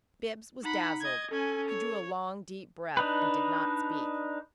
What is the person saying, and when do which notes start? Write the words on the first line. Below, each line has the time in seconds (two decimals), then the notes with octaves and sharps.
Bibbs was dazzled; he drew a long, deep breath and did not speak.
0.64 D#4 F#5 B5
1.01 D#5 G#6
1.31 C#4 A4 G#5
1.69 C#5
2.97 D4 D#4 B4